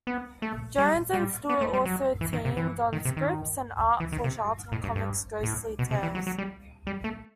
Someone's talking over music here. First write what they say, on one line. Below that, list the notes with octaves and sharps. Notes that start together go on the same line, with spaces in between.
Jones and Stewart also teamed on scripts and art for Charlton Comics' "Ghostly Tales".
B3
A3
G3
G3
B3
A3
G3
F#3
E3
D#3
C3
E3
D#3
C3
D#3
E3
D#3
C3
A2
G2
G2
A2
B2
C3
E3
F#3
F#3
G3
G3
A3